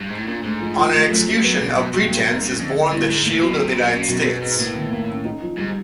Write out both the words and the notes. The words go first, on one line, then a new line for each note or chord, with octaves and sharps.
On an escutcheon of pretence is borne the shield of the United States.
G2
G#2
A2
A#2 D4
G#2 A3
F3
F3
G2 A3
F#2 A3
F#2 F#3
F#2 B3
G2 B2
F#2 B2
G2 F#3
A#3
G#2 A#3
G2 C#4
F2 D3
D3
G2 E4
G#2 E4
A2 A#3
B2 F#3
C3 F#3
C#3 F#3
A#2
B2 C#4
A#2
F#2 B2
F2
F#2 B3
G#2 B3
A2 A#3
D#3
A#3
C#4
D#4
F3
G#2 G3